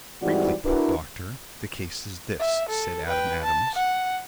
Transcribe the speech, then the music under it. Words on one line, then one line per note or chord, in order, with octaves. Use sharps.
"Briefly put, doctor, the case is this," said Adam Adams.
G#2 E3 G3 C4 F#4 D5
D4 E4 F#4 A#4 B4
E5
A4
B4 G5
A5
F#5